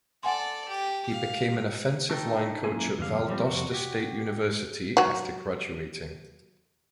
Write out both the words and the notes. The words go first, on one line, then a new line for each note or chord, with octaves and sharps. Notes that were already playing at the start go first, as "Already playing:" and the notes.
He became an offensive line coach at Valdosta State University after graduating.
A4 D5 F#5 G#5 C6
G4
F5
A3 D4 D#4 A4 G5
F#2 D#3 A#3 E4 G#5
E2 G2 D3 F5
F3 G3 C4
F2 C3 F#4
F#4 G4
F#3 F#4